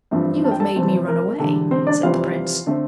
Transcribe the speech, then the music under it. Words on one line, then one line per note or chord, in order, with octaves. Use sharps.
'You have made me run away,' said the prince.
A1 G2 F3 A3 C4
A5
G5
A4 A5
F1 E2 E3 A3 C4
A#4
E1 E2 D3 G3 A4
C4 C5
D4 D5
F1 E2 E3 G3 C4 F4 F5
D3 A3 C4